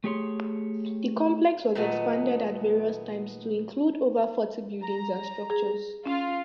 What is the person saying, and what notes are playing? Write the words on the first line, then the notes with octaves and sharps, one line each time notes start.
The complex was expanded at various times to include over forty buildings and structures.
A3 G4 G#4 C#5 C6
A#2 D#3 F#3 A3 B3 D#5
A#5
G#4
C#4 F4 F5